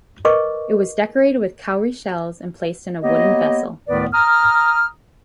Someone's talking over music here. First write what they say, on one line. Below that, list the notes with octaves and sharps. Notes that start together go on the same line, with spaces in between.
It was decorated with cowry shells and placed in a wooden vessel.
A#4 B4 D#5 C#6 D6
A#3 B3 G4 C#5 D#5
D2 A2 D#3 B3 B4 D5
A#5 D#6 F6